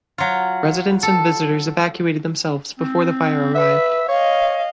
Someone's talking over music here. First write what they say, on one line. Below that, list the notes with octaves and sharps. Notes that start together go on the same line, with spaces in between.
Residents and visitors evacuated themselves before the fire arrived.
F#3 F4
A4
C4
B4 E5
C#5 D#5 F5